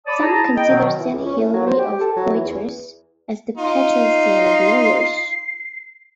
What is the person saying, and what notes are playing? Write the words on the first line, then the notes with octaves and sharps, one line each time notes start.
Some consider Saint Hilary of Poitiers as the patron saint of lawyers.
C#5 D5 A5 B5 D6 D#6
E4 G#4 A5 A#5
D#5 G5
B2 D#3 F#3 B3
E3
C#2
C#4
A2
F#3
C5
G4
A4
F#3
E3
E2
D#4 F4
C7